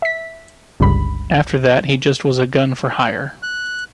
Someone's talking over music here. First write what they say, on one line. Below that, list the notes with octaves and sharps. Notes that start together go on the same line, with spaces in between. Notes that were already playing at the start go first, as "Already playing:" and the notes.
After that he just was a gun for hire.
E5 B6
G1 C#2 G2 B5
F#6